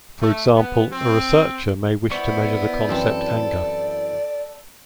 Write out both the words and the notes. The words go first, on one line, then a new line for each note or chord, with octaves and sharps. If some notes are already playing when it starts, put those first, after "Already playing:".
For example, a researcher may wish to measure the concept anger.
A3
B3
C4
B3 E4 C5 D5 C#6
F#2 E3 C4 A4